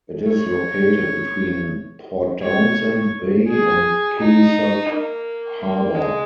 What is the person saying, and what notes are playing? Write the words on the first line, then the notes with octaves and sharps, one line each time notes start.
It is located between Port Townsend Bay and Kilisut Harbor.
C#5
C#5
G#4
D#4
A#3
A#3
G#3